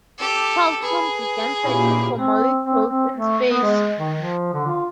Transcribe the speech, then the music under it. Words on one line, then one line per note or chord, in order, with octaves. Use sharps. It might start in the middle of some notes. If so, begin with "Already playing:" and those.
Charles soon began searching for molecules in space.
G4 A4
G#4 B4
A#2 A#3 C#4 E4 G4 F5
C4
C4
C4
A3
B3
G#3
D#3
F3
D3
F4